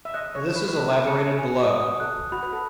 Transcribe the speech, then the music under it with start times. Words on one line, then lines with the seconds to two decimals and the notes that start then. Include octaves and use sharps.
This is elaborated below.
0.05 E5
0.14 D#5 F#6
0.35 C#5
0.45 E7
0.56 B4
0.68 B4
0.76 A4 F#6
1.07 A4 C#7
1.38 G#4 G#5
1.59 F#4
1.70 D#6
1.80 F#4
2.00 A4 F#6
2.32 F#4 B5
2.43 B4
2.53 A4